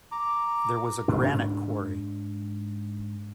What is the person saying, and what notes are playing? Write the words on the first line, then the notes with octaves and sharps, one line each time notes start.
There was a granite quarry.
A#5 D6
G#2 D4